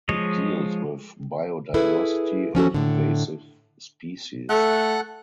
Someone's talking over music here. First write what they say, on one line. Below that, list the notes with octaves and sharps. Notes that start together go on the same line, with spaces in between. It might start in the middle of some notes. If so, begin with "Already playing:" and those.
It deals with biodiversity and invasive species.
F3 G#3 C#5 D#5
E4 G#4 A4 B4
F3 C#4 F#4 A4
A2 D3
A3 A4 F#5 F#6